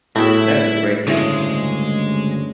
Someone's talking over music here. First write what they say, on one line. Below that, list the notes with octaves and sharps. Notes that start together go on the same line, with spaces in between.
That is a great thing.
A2 B3 E4 F#4 G#4 E5
D2 G2 C#3 G#3 E4 E5